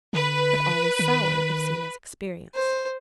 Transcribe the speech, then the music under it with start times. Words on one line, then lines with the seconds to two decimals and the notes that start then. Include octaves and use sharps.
But all is sour, if seen as experience.
0.13 D3 B4
0.99 D#3
2.55 C5